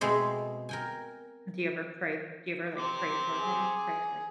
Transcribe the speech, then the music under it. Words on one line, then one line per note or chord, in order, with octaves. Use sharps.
Do you ever pray do you ever, like, pray for him, pray, like,
B2 G#3 A3 C4 G#4 D#5
A#4 G5 G#5
C4 C6 D6
G#4